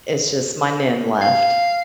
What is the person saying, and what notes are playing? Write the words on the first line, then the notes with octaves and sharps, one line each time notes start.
it's just my Nin left.
F5